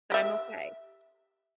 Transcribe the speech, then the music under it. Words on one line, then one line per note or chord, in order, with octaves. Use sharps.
but I'm okay."
G4 E5